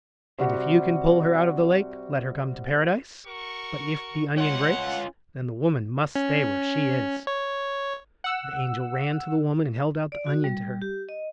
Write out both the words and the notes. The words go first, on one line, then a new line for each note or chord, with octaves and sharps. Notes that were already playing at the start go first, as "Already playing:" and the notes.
And if you can pull her out of the lake, let her come to Paradise, but if the onion breaks, then the woman must stay where she is.' The angel ran to the woman and held out the onion to her.
C3 G3 F#4 F#5
F#4 A#4 C#6
C#4 F4 F#5
C#4
C#5
F#5 E6
D5
F#4
G3
G4
D#5